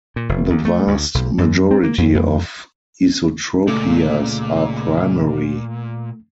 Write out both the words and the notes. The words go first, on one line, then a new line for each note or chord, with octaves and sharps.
The vast majority of esotropias are primary.
A#2
F1
D#2
A3
D2
B1
F#2
C4
A#3
F2
F2
C#2 A#2 A3